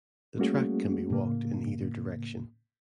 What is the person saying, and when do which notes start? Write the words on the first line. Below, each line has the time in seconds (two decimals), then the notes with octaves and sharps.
The track can be walked in either direction.
0.37 G3 A3 A#3 C#4 F#4 G#4
1.10 A2 C#3 A#3